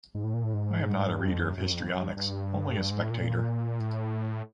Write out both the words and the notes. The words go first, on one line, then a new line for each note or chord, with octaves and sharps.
I am not a reader of histrionics, only a spectator.
G#2
A2
A#2
A2
G#2
G2
F2
F#2
F#2
F2
F#2
G2
G2
G#2
A2
A#2
A#2
A2